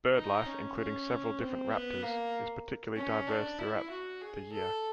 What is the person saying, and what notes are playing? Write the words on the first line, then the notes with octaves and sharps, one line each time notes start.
Bird life, including several different raptors, is particularly diverse throughout the year.
D#4
C#4
C#4
C4
B3
A#3
C#4
D4
E4
F#4
G#4
A4